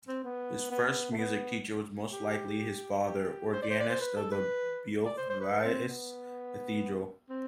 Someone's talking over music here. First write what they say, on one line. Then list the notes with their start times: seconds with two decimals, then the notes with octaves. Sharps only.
His first music teacher was most likely his father, organist of the Beauvais Cathedral.
0.08 C4
0.24 B3
0.71 B3
1.12 A3
1.18 B3
2.12 G4
3.06 G4
3.53 C5
3.62 D5
3.70 C5
3.80 D5
3.89 C5
4.01 B4
4.16 A4
4.32 B4
5.05 D5
5.18 C5
5.30 C5
5.41 B4
5.64 C4
5.88 B3
7.30 C4